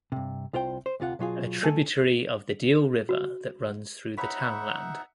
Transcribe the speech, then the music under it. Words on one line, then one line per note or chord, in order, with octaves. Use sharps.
A tributary of the Deel river that runs through the townland.
G2 C3
C2 F4 C5 G5
C5
D2 C3 F4 F#5
B2 F#3 F4 G#4
A3 A4 G#5 A5
F#4
D#4 B4 C#5 E5 F#5